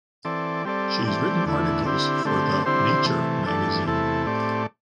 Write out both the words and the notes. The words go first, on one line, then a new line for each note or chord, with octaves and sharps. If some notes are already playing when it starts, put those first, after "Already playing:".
She’s written articles for the “Nature” magazine.
E3 C4 A4 D5
G3 C4 A4 D5
E3 A3 C4 G4 D5
E2 D3 A3 E4
D3 C4 E4 G4
D3 A3 C4 G4
D3 C4 E4 G4 C5
C3 E3 A3
G2 E3 A3 D4 A4
E2 C3 A3 E4 A4
A2 A3 C4 G4 D5